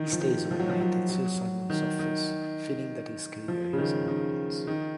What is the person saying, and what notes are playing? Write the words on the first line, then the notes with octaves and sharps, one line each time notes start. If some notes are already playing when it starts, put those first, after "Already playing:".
He stays overnight at Sir Simon's office, feeling that his career is in ruins.
Already playing: D#3
F3
D#3
F3
F#3
F3
F#3
F#3
D#3
D#3
F3
C#3
D#3
D#3
D#3